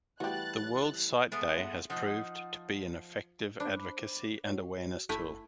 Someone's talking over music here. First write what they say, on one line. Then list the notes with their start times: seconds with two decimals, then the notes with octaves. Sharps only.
The World Sight Day has proved to be an effective advocacy and awareness tool.
0.20 E3 G3 A3 F#4 G4 F#6 A6
1.32 G#3 A3 B3
1.90 F3 D#4 F#5
3.60 D4 C5 B5 D6
4.44 F#4 C#5
5.09 G1 A3 E4 G#5